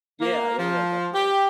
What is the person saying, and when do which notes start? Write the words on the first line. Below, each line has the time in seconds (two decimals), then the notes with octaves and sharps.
Yeah, yeah, yeah, definitely.
0.22 A#3
0.59 F3
1.14 G4